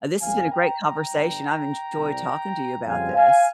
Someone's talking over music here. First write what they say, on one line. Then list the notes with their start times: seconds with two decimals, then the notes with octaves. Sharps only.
Uh, this has been a great conversation. I've enjoyed talking to you about this.
0.21 F2 C#3 F3 A#3 F5 G#5
0.50 G5 A#5
0.80 G5 A#5
1.10 G1 G2 G3
1.98 C2 C3 G3
2.86 F2 C#3 G3 C4 F5 G#5
3.15 F5 G#5